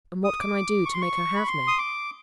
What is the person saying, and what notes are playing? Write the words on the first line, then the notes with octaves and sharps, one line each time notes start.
And what can I do to make her have me?
D#6
D6
C#6
C6
C#6
B5
C6
D#6
D6